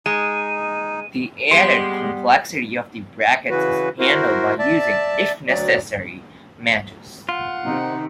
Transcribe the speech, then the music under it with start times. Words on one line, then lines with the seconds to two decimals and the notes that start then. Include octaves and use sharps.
The added complexity of the brackets is handled by using "if necessary" matches.
0.06 G#3 D#4 D#7
1.51 G3 G#3 B3 G4 C6
3.50 C#3 E3 F#4 B4
3.99 E4 F#4 A#4 C5
4.59 D5 E5 A5
5.47 D2 F#3 D5
7.29 F4 F#5
7.65 C3 D#3 D#4